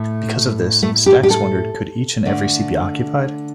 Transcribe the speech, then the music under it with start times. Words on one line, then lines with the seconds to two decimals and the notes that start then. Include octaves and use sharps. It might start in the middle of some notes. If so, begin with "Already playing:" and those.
Because of this, Stax wondered: Could each and every seat be occupied?
Already playing: A2 A3
0.83 A3
1.06 G4
1.23 G4
1.30 A4
2.25 D3 A3